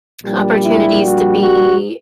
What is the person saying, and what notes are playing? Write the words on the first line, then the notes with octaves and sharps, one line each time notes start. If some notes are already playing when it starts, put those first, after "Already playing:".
opportunities to be
A#1 A#2 G3
E4
F#4
F#4